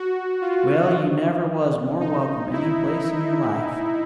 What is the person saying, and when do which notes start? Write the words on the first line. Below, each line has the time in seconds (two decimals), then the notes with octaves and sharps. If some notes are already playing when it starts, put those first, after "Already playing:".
Well, you never was more welcome any place in your life.
Already playing: F#4
0.42 F4
2.00 D#4
2.53 E4